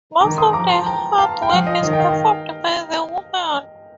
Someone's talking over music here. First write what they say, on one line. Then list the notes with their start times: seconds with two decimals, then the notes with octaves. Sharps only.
Most of the hard work is performed by the women.
0.21 D#3 A#5 D6
0.38 C6 D#6
0.53 F3 A#5 D6
0.69 A5 C6
0.86 G5 A#5
1.18 F5 A5
1.42 G5
1.51 F3 F5
1.67 D#5
1.83 D#3 D#5
1.93 G5
2.00 F5